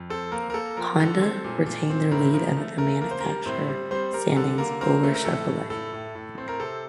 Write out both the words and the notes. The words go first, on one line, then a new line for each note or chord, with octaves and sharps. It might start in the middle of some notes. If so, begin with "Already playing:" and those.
Honda retained their lead of the manufacturer standings over Chevrolet.
Already playing: F2
C4 A4
A#3 A#4
A#4
A#3 A4
F3 A#4
D3 A4
C4
A#2
A#2
C4
A2 A#4
F3 A#4
A3
A3 A#4
A#3 A#4
C5
G3 A#4
A2 C4 C5
G3
G3 C4 C5
G3 A#4
D3 A4
A#3 A#4
C4 A#4
A3
A#4
A2 A4
A2
A2 A4
A2
A2
C4
A#4
C3 A4